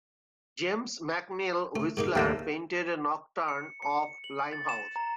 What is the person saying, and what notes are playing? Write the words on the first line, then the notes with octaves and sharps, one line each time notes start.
James McNeill Whistler painted a "Nocturne of Limehouse".
A3
G#2 A#3 D#4
D#2 G3 A3 A#3 E5 G5
C#7
C#7
F#7
A6
E7
A#5